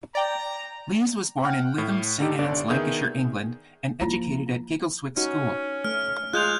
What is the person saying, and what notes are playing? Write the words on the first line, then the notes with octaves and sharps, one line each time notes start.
Leese was born in Lytham Saint Annes, Lancashire, England and educated at Giggleswick School.
D5 G5 A#5
F#5 G5 F6
A2
D3 D#4 G4 A4
G1 D3 D5
D#3 B3 G#4 E5 G6
F3 A#3 E4 F4
C#4 D#4 F#4
A3 F6
G#3 F4 F#6 G6 F7